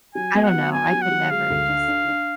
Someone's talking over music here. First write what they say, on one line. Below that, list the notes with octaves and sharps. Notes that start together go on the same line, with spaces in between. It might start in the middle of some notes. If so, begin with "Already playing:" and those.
I don't know. I could never just be
F#3 G#5
B3
F#5
F#3
B3 G#5
F#3
F#5
F#3
G#3 F5
D2
D4
D4
D4